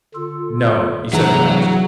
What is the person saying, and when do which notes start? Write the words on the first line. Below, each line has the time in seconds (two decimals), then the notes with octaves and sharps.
'No,' he said at last.
0.15 D3 F4 A4
1.13 C3 E3 F#3 A3 B3 D4 G#4 A#5